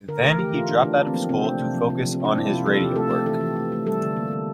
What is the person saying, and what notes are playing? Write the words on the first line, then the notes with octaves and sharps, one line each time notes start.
Then he dropped out of school to focus on his radio work.
D3 A#4
A3 A#4
A3 G4
E3 F4
E3 D4
A3 D4
A3
C4
F3 A#3
C3 C4
A3 D4
C3
F3
C3
F3
C4
C3 D4
A#3 E4
C3 F4
F3 A4
C3 G4
A3 A4
A3 G4
E3 A4
E3
A3
A3
G3 A4
D3
A#3
D3